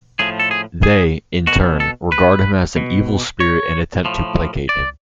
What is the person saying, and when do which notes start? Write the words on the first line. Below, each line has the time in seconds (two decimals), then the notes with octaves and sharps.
They, in turn, regard him as an evil spirit and attempt to placate him.
0.19 A2 F3 G#4
0.39 A4
0.51 G#4
0.83 G#4
1.47 B2 F#4
1.80 A4
2.12 B4
2.76 B2
3.40 C#5
4.05 A2 F3
4.69 D5